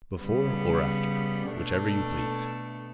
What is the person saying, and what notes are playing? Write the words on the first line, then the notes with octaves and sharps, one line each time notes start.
"Before or after, whichever you please."
C#3 G3 B3
B2 A3 D4 A4